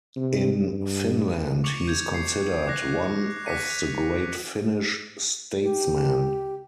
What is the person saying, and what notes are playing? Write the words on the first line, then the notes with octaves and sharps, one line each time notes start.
In Finland, he is considered one of the great Finnish statesmen.
C3
G2
C#6 D6 C#7 F7
G6 G#6 F7
C7
D6 F#6 A#6
D6 F#6 A#6 B6 C#7 D#7
B6 F7
G4